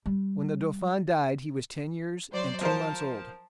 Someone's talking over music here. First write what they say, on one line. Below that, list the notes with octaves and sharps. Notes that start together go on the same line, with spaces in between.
When the dauphin died he was ten years and two months old.
G3
F#3 C5 D5
F3 A#4 C5 A5